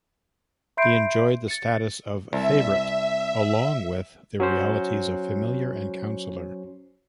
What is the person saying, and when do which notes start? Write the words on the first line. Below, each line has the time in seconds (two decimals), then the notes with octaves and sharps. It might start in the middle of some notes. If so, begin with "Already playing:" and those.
He enjoyed the status of favorite, along with the realities of familiar and counsellor.
0.77 E5 B5 C6 G6 C7 D7
1.48 A6 C#7
2.33 C2 E5
4.40 F#3 C#4 C5